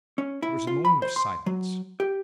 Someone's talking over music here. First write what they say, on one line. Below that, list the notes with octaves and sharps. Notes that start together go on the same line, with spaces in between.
There was a moment of silence.
C#4
E4
F4
B5
C5
C6
F#3
G4